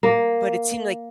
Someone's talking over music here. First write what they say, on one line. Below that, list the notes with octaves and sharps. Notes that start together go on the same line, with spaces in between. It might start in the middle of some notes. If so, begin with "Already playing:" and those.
but it seemed like
A#3